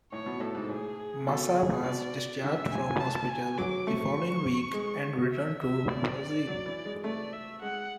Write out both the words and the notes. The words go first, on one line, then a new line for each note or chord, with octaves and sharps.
Massa was discharged from hospital the following week and returned to Brazil.
A2 C#5
B2
A2 A4
G#2
A2 G#4
G#4
B2 A4
G#4
B2 D5
D3 E5
G#5
A5
G#5
F#3 D6
A3 C#6
G#3
E5
E5
D5
F#3
E3
G#3
A3 D5
E5
G#3 F#5